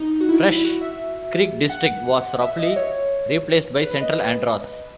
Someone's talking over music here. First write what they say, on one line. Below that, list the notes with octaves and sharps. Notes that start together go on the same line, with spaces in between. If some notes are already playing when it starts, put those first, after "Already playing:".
Fresh Creek district was roughly replaced by Central Andros.
Already playing: D#4
F#4
E4
E4
F#4
E5
F#5
E5
D#5
C#5
B4
D#5